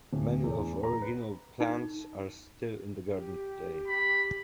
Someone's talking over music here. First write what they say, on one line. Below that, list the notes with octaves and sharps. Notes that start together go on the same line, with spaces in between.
Many of the original plants are still in the garden today.
D1
E2
A#5
B4
D#4
G4
B5